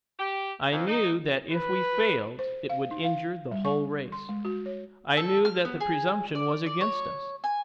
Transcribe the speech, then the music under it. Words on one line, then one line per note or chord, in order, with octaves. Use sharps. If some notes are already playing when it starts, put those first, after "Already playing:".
I knew that if we failed it would injure the whole race. I knew that the presumption was against us.
G4
F2
D#4
B4
C5
F5
D#4
F5
G3
C#6
C6
G#3
F#4
C#5
A4
F6
B3
G#4
D5
D5
C#5
G#5